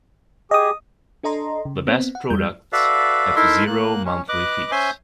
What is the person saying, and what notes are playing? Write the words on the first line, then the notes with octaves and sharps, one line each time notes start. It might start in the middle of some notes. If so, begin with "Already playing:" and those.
The best products have zero monthly fees.
G4 G#4 D#5 G#5 D#6
D4 A4 D#5 A#5 C6
C#3
B3 C4
F#5
F2 G3 G6
F#4 A4 B4 D5 E5 F5
D#4 E4 A4 A#4 E5 C6
A#3 F#6
C#4
B4 D#5 D6 F#6
C#4 C5 E5 G#5 C6